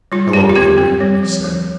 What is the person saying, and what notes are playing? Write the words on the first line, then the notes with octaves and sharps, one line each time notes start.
"Hello, Henry," he said.
G3 F4
G3 G4
F4
C4 G4
C4
G3
F3
F3